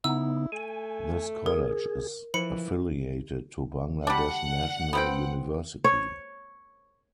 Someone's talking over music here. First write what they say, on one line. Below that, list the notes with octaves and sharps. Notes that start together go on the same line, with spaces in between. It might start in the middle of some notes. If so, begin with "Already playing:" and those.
This college is affiliated to Bangladesh National University.
C#3 B3 D#4 E4 E6
A3 G#5
G#4 A#4
E3 F3 B5 C#7
G3 D4 F#5
B3 C4 G5
C#5